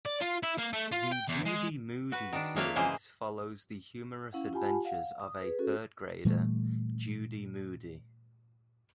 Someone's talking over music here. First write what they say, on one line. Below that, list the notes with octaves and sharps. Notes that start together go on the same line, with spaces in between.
The Judy Moody series follows the humorous adventures of a third-grader, Judy Moody.
D5
F4
E4
A#3
A3
F4
G5
E2
G#3
F#4 B4
D#3 D4
F3 A#3 D4 C#5 E5 F5
C#3 E3 G#3 A#3 G#4 C5
C#4 E4 F5 F#5
F4 G4 F#5 G#5 A5 B5
F5 F#5
D#6
G#4 B4
C#4 F#4 A4
A#2 E3 G3 A3